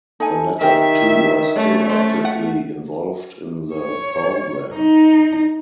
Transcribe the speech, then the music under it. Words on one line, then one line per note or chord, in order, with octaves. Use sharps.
The latter two are still actively involved in the programme.
D#4 A4 G#5
D#3 G4 A#4 E5
A3 C#4
A3 C5
F#5
C#5
D#4